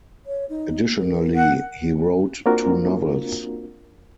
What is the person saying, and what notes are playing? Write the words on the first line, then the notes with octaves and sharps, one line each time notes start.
Additionally, he wrote two novels.
C#5
D#4
A#4
F#5
A#3 C4 D4 F4 F#4 A#4